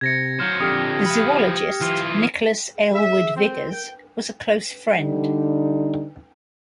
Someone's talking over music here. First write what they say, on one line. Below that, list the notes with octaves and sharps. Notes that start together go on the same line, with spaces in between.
The zoologist Nicholas Aylward Vigors was a close friend.
C3 G#6 A#6 C#7
F#3 C5 F6
F2 D3 G4 D#6 F6
F3 B4
E3 F4 F6
E5
C4
G5
D3 G3 D#4